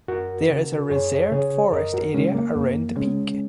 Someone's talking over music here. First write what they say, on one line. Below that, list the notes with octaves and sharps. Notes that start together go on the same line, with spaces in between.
There is a reserved forest area around the peak.
F#2 F#4 A#4
C#3
F#2 G#4 C#5
C#3 G#4 C#5
F#2 A#4 D#5
F#4 A#4
C#3 G#3 C#4
A#3
F#2 A#3
C#3 G#3 C#4